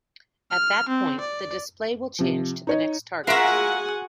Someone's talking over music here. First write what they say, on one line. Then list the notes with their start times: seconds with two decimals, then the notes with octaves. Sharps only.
At that point the display will change to the next target.
0.51 F6
0.89 C4
1.21 D5
2.19 C3 F3
2.67 D#4 C#5 D#5
3.27 F4 F#4 G#4 A#4 E5 F#5 G#5 C6